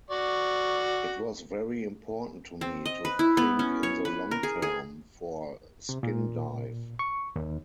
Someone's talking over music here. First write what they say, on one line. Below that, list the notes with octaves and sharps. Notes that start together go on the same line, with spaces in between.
It was very important to me to think in the long-term for Skindive.
F#4 D5 C#6
C4
D#5
B4
E4
B3
C#4
C#5
B4
A#4
G#4
G#4
C3
A#2
C#6
D#2